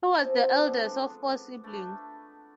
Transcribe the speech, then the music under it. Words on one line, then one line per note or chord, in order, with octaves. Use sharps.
He was eldest of four siblings.
E3 F3 C4
G#3 B3 D4 A4
A3 D4 A5 B5